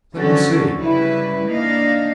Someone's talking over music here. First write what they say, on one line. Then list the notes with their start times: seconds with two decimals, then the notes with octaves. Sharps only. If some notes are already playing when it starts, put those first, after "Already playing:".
"Let me see?"
0.16 D3 F3 F#3 C#4 F#4 A4
0.81 C#3 G3 E4 B4
1.48 A#3 D4 D#4 D#5 F5